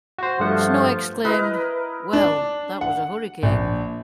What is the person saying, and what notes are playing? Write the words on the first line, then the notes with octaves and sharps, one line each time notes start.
Snow exclaimed, Well, that was a Hurricane.
F#4 C5
G2 F3 A3 F#5
E4 A#4 B4 D#5
D4
F#5
A#1